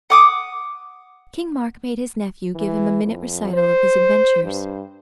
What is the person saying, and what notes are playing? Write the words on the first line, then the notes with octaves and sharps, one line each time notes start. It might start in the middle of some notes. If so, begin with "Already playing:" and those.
King Mark made his nephew give him a minute recital of his adventures.
F#5 D6 D#6
E3
F2
C5
G2